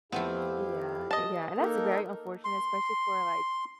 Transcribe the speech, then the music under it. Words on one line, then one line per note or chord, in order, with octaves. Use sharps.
Yeah. Yeah and that's very unfortunate, especially for, like,
F2 F3 A3 B3 C4 E4 G4 F5
D#5 A5
A#3 D#4 A4 A#4
C6